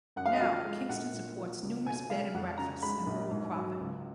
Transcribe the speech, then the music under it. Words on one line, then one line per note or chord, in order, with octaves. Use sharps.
Now, Kingston supports numerous bed and breakfasts and rural cropping.
F#2 F#5
F5
D#5
F3 F5
G#3
A#1 F#5
A#2
F3
C#2
B2 G#5
G#3 F5
F2 F#5
C#3 A#5
G#3 B5
A#1
G#2
F#3
C#2